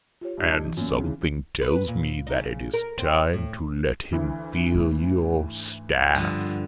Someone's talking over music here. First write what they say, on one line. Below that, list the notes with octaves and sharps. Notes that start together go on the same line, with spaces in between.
"And something tells me that it is time to let him feel your staff."
F4 G4 C#5
G2 D#4
A5 G#6
E3
F#2 A#2
C#3 E3
B4
A#2
D#4
C#3
A#4
C4
A2
D2 E3
G#2 A3
G2 D3 F3 B3